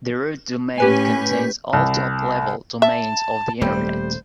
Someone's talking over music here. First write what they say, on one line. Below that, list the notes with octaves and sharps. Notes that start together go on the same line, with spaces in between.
The root domain contains all top-level domains of the Internet.
A2 C#4 G4 B4 G#5
C2
E5 A5
D#1 G3 A3 C5